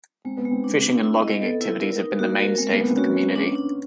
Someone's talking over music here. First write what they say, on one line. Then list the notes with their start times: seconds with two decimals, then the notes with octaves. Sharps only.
Fishing and logging activities have been the mainstay for the community.
0.25 G#3 C4
0.37 B3
0.45 G#3
0.51 C4
0.64 D4
0.83 D4
1.03 E4
1.23 D#5
1.41 B3 A4
1.61 E4
1.81 A#4
1.99 D#4
2.19 A#3 F#4
2.39 A#4
2.58 G#3 C4
2.72 A#3
2.78 G#3 B3
2.88 C4
2.97 C#4 F#4
3.16 G#3
3.36 D4
3.55 D4